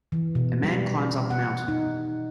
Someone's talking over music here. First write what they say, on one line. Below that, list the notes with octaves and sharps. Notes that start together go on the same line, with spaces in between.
A man climbs up a mountain.
E3
B2
G3
F#5
D#4